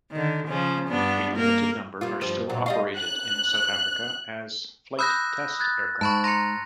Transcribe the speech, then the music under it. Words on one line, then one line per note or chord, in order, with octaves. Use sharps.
A limited number are still operated in South Africa as flight test aircraft.
D3 D#3
C#3 F3 C#4
G2 B3 D4
A#3 A#4
G3 A#3 F4
G2 F3 G3
G2 A#2 F#3
G3 D#5 F5
F#6
B5 D#6 E6 F#6 G6 A#6
F#6 G#6 A6
G#2 A5 B5 C#6
A#5 C6 A#6 C#7